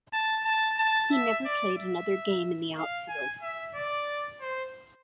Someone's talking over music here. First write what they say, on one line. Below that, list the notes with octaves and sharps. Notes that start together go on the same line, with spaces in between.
He never played another game in the outfield.
A5
A5
A5
E5
D5
E5
F5
G#5
E5
D5
C5